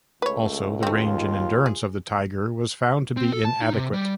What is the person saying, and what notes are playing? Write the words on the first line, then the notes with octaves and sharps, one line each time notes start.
Also, the range and endurance of the "Tiger" was found to be inadequate.
C#2 A3 B4 C#5
D#2 A3 C4 F4
G#4
C4
A4
A5
D#4
C3
G3